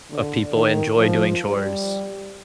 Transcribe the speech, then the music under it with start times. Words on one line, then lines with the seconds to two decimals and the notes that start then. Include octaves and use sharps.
of people enjoy doing chores.
0.11 D3
0.54 D#3
0.98 F3
1.42 G3